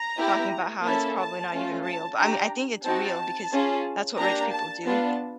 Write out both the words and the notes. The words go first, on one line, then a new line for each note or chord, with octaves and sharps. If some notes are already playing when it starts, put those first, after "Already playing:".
talking about how it's probably not even real, but I mea I think it's real because that's what rich people do.
Already playing: A#5
B3 E4 G4
A#3 C#4 E4 A4 A5
A5
A3 C#4 F4
A5
D4 G4 A#5
C4 D#4 F#4 A5
C#4 F4 G#4
A#3 D4 G4 A#5
A5
B3 D4 F4 A5